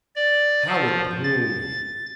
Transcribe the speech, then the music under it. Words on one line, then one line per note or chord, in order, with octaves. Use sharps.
How it bloomed!
D5
F3
A6